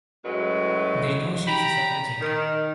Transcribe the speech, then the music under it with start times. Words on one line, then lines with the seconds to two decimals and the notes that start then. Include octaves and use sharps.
They know she’s a suffragette.
0.25 F#2 A2 F#3 G#3 B4
1.47 G4 A#5 B5
2.21 D#3